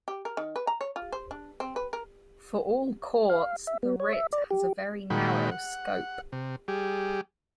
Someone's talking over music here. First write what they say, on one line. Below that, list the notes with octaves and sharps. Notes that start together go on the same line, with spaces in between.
For all courts, the writ has a very narrow scope.
G4
A#4
D#3
B4
A#5
C#5
F4
C5
D4
C4
B4
A#4
F5
E5
B3
C#5
E5
D5
G4
A#2 D#3 G#3 F#4 G5 B5
F#5
C3
G3 G4 G#4